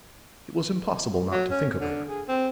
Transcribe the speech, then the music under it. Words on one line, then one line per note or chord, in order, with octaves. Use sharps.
It was impossible not to think of her.
F#3
C#4
D3
G#4
C4